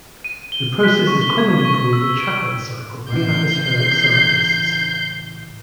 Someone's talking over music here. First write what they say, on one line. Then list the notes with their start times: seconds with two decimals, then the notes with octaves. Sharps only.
The process is commonly called the Chapman cycle by atmospheric scientists.
0.24 D#7
0.52 G7
0.83 B6
1.07 C#6
1.21 G7
1.38 G#6
1.65 C#6
1.93 E6
2.20 D7
3.12 A2 C#3 E3 G6 C7